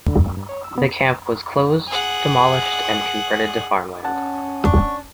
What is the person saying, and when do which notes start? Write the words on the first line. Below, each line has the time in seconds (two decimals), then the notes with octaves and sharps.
The camp was closed, demolished and converted to farmland.
0.08 D3
0.22 F#2
0.37 G2
0.49 C#5
0.64 E6
0.78 B3
1.88 G#4 F#5
4.05 C#4 F#5 A5
4.65 D4 C#6